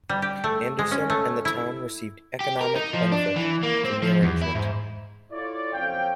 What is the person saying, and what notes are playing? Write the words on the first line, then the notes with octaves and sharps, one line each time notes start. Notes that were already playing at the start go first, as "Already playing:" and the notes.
Anderson and the town received economic benefit from the arrangement.
G3
G4
A3
G#3
C#4
A3
E4
G4
A#4
D#4
F3
D4
E3
A#3
C4
F3
E2
E4
G#2
E4 F4 A4 C#5 D5
F#1 F2 C4 C#4 F5 G5